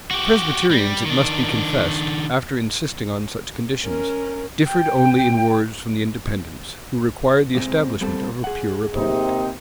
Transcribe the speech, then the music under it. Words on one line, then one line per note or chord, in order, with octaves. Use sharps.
The Presbyterians, it must be confessed, after insisting on such conditions, differed only in words from the Independents, who required the establishment of a pure republic.
F#4 G4
G3
D#3 D4
C#4 A#4
G5
C3 G#3 C4
G3 C4 A4
G#4 F#5
D#2 C3 D#4